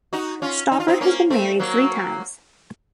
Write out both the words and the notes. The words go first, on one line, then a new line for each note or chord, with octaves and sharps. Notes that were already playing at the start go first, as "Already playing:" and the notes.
Stoppard has been married three times.
D#4 F#4
C#4 F4
D#4
F4
C4 D#4
A#3 C#4
A3 C4
F#3 A#3